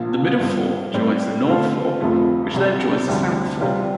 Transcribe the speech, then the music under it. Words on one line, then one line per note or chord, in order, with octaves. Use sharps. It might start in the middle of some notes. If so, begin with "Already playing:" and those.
The Middle Fork joins the North Fork, which then joins the South Fork.
Already playing: A#1 A#2 F3
G2 F3 C4
A2 G3 C4 G4 C5
D3 A3 C4 F4 A4
F1 F2 C3 F3 A3
C2 C3 G3
D2 D3 G3 C4
C3 G3 C4 F4